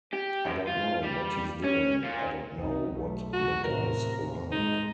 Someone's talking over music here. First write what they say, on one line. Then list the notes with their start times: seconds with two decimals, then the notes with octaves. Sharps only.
I don't know what he's doing, I don't know what the guy's like.
0.13 G4
0.46 F#2
0.67 F4
1.04 G3
1.64 C#4
2.04 A#2
2.56 C2 D#4
2.97 B1 A3
3.33 F#4
3.64 A2 C3 A#4
4.52 G#3 D#4